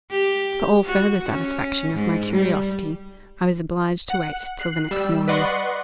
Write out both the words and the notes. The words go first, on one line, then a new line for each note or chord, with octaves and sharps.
For all further satisfaction of my curiosity, I was obliged to wait till the next morning.
G4
F#4
C#4
G#2
G3
F#5
F#6 C7
G3 E6
B4 D5 D#5 F#5 C6 C#6